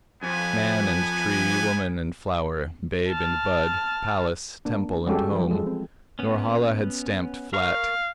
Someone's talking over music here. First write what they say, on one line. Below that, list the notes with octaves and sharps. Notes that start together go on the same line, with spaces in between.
Man and tree, woman and flower, babe and bud, palace, temple and home--Norhala had stamped flat.
F2 B3 B4 G#5
A5 F6
A#3 D4
G3 G#3 C#4 F#4 G4 A4
E3 F3
G#3 A4
C4
B3 C#4
A#4 F5 C#6